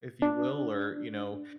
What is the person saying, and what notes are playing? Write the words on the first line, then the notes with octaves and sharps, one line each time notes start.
if you will, or, you know
D4